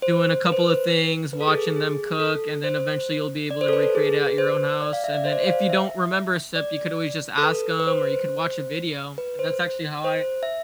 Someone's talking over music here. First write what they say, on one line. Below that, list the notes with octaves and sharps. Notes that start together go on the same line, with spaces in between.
doing a couple a things, watching them cook, and then eventually, you'll be able to recreate it at your own house, and then, if you don't remember a step, you could always just ask 'em or you could watch a video, and that's actually how I
C5
B4
C5
B4
B4
A4
G#4
A4
G#4
A4
C5
D5
C5
A4
B4
A4
G#4
G#4
B4
C5
D5
F5
E5
D5
C5
D5
C5
F5
E5
D5
A4
B4
B4
C5
B4
C5
C5
E5